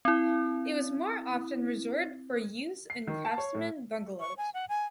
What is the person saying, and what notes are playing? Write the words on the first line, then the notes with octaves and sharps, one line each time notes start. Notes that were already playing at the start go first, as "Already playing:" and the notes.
It was more often reserved for use in Craftsman Bungalows.
C4 E4
C7
D#3
A5
C#5
A2
C#6
G#5
F#5
G#5